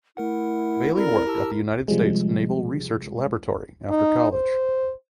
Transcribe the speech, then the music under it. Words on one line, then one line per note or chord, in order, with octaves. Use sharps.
Bailie worked at the United States Naval Research Laboratory after college.
A3 E4 A#4 F#5
C4 A4 A#4 D5
G4 A5 E6
C3 F3 G3 G#3
D#4
C5